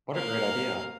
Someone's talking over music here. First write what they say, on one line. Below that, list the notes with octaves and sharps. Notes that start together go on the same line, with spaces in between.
What a great idea.
A#3 F5